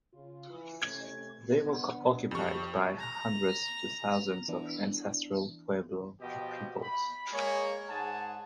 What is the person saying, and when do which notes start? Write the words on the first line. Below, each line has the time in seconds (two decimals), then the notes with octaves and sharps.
They were occupied by hundreds to thousands of Ancestral Pueblo peoples.
0.13 C#3 F4
0.50 E3
0.82 C3 A3 C#4 G#6
1.55 B3 D4
2.31 F2 F3 G4 C#6
2.99 A#5
4.48 E3 B3 D4 E4
6.21 B2 F3 G4 D#5 G5
6.81 B5
7.32 G#3 A#3 G#4 C#5
7.88 G#2 G#4 F#5 A5